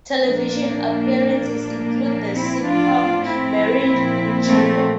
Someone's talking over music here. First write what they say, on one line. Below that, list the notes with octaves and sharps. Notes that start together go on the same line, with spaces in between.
Television appearances include the sitcom "Married... with Children".
A#2 F3 A#3 D4
A#2 F3
A#3 D4
C4 E4
A2 F3 D4 F4
C4 E4
A#2 F3
A3 C4